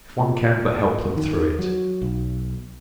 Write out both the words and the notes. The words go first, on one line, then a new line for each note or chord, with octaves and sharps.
If one can but help them through it!
A#2
D#3
F#3
B1